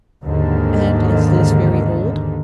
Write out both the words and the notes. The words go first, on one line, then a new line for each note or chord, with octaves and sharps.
'And is this very old?'
D#2 G#2 D3 D#3